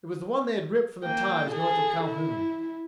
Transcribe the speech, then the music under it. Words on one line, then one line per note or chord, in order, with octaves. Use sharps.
It was the one they had ripped from the ties north of Calhoun.
A#3 G5
G#4 A4
E4